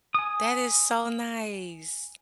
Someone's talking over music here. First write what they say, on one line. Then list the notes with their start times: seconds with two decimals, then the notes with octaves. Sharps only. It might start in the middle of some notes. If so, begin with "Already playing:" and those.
That is so nice.
0.14 G#5 D#6